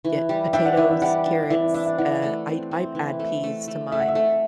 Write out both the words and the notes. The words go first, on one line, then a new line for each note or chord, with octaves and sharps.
get potatoes, carrots, uh, I'd I'd add peas to mine,
E3
G3
D4 E5 G5
D5 F#5
E3 E5
E5
G3 D5 F#5
D4
D5
E3 E5
D5
D4 E5
E5
E3 D5 F#5
A3
C4
C4
E3
A3
A3
A3
A3 E5
F#5
E5
A3